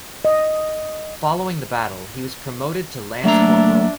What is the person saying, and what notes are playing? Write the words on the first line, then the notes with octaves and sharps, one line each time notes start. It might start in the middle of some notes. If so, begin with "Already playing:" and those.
Following the battle he was promoted to lance corporal.
D#5
F#3 A3 A#3 D4 E5 A#5